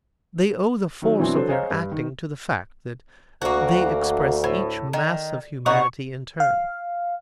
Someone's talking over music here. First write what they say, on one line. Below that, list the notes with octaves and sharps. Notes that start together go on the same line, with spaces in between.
They owe the force of their acting to the fact that they express each mass of humanity in turn.
D#3 F#3
B2 E3 F#3 C4 D4
F#3 D4 A4 B4 C5
G#4 C5 C#5 D#5 F5 A#5
G2
D#3
D2 A#3 F#4
A2
D#3
B2 D#4 F#5 C#6
F5